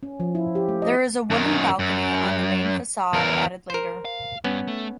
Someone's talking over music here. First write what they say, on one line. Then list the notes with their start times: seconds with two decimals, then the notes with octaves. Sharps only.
There is a wooden balcony on the main facade, added later.
0.03 C#4
0.20 F3
0.35 E4
0.55 G4
0.69 A3
0.82 D#5
1.30 F#2 D#3
1.79 F#2
3.13 E2 A#4
3.70 A#4 C5
4.05 F5
4.44 G2 B3 C#4
4.67 A3